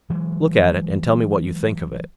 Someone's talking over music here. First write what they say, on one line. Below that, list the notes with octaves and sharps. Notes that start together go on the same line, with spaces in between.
"Look at it, and tell me what you think of it."
E3 F#3 G#3